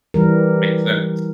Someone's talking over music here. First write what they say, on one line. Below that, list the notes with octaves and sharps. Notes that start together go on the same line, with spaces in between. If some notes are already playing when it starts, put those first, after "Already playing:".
Makes sense.
E3 G3 A#4